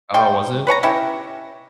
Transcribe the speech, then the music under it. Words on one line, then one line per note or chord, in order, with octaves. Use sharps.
Oh, was it?
G3 G5 C6
B4 C#5 G#5 A#5
C#4 E4 G4 E5